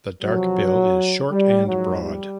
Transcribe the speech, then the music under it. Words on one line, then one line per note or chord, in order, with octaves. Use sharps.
The dark bill is short and broad.
F2 C3 F3 F#3
G3
G#2 F3 F#3
G3